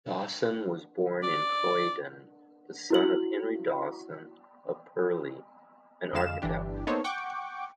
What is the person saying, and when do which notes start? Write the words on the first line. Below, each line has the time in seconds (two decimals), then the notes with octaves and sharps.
Dawson was born in Croydon, the son of Henry Dawson, of Purley, an architect.
1.23 D5
2.90 E4 F#4 F#7
6.13 F2 D3 G#3 F5 E7
6.42 G1 E3 D4 G4
6.87 A#3 B3 D#4 A4 C5 C#5
7.04 F#5 G5 C#6 D6